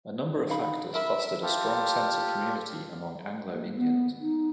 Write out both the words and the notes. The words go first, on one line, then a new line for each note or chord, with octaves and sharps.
A number of factors fostered a strong sense of community among Anglo-Indians.
D#4 F5 B5
A#4 E5 B5
F4 G4 A4
A#3
B3
D#4